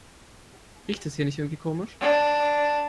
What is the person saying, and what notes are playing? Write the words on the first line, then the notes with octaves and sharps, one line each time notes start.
Riecht es hier nicht irgendwie komisch?
D4